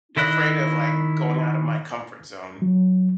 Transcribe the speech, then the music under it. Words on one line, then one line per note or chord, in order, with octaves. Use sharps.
afraid of, like, going out of my comfort zone
D#3 E4 D#5 F#6
F#3